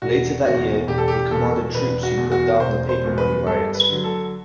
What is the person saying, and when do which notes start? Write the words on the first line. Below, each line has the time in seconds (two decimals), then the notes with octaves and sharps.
Later that year, he commanded troops who put down the Paper Money Riot.
0.02 E1 F#4
0.45 E2 B2 F#4
0.87 E1 G4
0.98 A4
1.08 G4
1.31 E2 B2 A4
1.74 E1 B4
2.03 F#4
2.17 E2 B2
2.32 F#4
2.60 E1 C5
2.89 C5
3.04 E2 B2
3.18 B4
3.46 G2 A4
3.75 B4
3.89 D3 F#3
4.04 A4